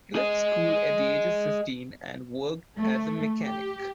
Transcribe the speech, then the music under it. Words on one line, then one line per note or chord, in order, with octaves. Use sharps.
He left school at the age of fifteen and worked as a mechanic.
G#4 D#5
A3
G4